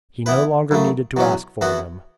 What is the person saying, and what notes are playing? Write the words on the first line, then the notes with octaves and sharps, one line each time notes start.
He no longer needed to ask for them.
E3 B3 E4 B4
F#2 C#3 A3
E2 B2 F#3 C#4
E2 E3 B3 F#4